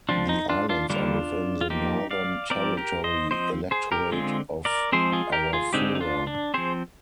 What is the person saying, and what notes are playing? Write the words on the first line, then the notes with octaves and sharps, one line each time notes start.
The islands are within the Northern Territory electorate of Arafura.
F3 C4 D4 F4
D#4
D4 F4
D4 F4
D3 G3 A#3 D4 F4
F4
F3 A#3 D#4 G4
D5 F5
F3 C4 A#4 D5
G4 A#4
C5 D#5
F3 C4 C5 D#5
G#4 C5
G4 A#4
D3 G#3 C4 F4 G#4
A#4 D5
F3 G#3 C4 G#4 C5
F4 G#4
G4 A#4
F4 G#4
D3 G#3 C4 D#4 G4
D#4
D4 F4
D4
F3 C4 G#4 C5